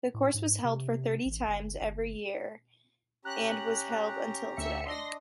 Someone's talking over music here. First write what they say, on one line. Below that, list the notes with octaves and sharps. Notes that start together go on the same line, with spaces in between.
The course was held for thirty times every year and was held until today.
A2
G#2
C3
A1
G1
G1
C#4 G4 A#5 F#6
D2 E5 C#7
D4 D#5 C6 A#6